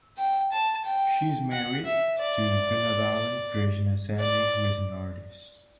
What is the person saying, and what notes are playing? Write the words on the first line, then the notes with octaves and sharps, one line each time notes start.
She is married to Gunabalan Krishnasamy who is an artist.
G5
A5
G5
F#5
E5
D5
D5